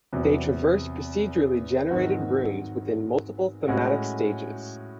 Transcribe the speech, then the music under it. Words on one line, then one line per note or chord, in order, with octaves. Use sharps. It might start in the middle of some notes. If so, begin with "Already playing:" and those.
They traverse procedurally generated rooms within multiple thematic stages.
E2 C3 F#3
G#2 D#3 F#3 C4 F#4
A2 G#3 C#4 F#4